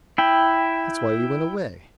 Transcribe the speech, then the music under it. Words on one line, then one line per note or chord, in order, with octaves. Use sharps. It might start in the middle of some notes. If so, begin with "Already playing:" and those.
That's why he went away.
E4 G5